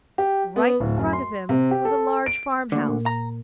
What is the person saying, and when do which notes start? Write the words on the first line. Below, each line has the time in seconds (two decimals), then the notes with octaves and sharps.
Right in front of him was a large farm-house.
0.18 G4
0.56 B3
0.80 D1
0.98 F#2
1.13 C6
1.49 C3
1.71 G4
1.85 A4
2.26 D7
2.72 D2 D3 A#3
2.88 A#2
3.06 A#5